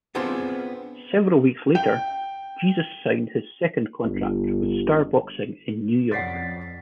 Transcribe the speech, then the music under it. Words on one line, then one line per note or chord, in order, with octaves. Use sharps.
Several weeks later, Jesus signed his second contract with Star Boxing in New York.
B3 C4 D4 F4 G#4 C5
G5
G1
F2 C#4 D5 F#5 A6 B6 C7